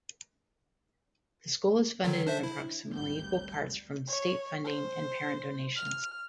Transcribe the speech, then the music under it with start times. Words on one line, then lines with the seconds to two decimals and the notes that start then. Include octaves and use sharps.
The school is funded in approximately equal parts from state funding and parent donations.
2.04 D3 D#3 F#3
2.27 D4 C5 E5
2.43 E4
2.94 G#1 D2 G3 G6
4.08 C#5
4.64 C5
5.76 F6